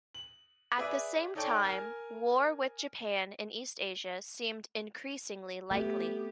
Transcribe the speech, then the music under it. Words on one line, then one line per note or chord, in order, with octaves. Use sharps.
At the same time, war with Japan in East Asia seemed increasingly likely.
F#7
G#4 B4 D5 E5 D6
D#4 A4 C#5 D5 G5 A5
A#4 G#5 F6
A3 B3 G4